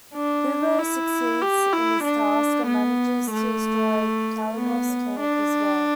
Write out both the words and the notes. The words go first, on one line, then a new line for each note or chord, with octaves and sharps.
Bubo succeeds in his task and manages to destroy Calibos' camp as well.
D4
E4
G4
E4
D4
B3
A3
B3
D4